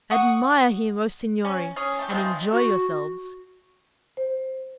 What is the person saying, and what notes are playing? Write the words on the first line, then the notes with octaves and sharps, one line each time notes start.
Admire him, O signori, and enjoy yourselves.
F#5 C#6 D#6
C#4
C#4 G#4
A3 G4
D#3 F3 G#3 C4
F#4
C5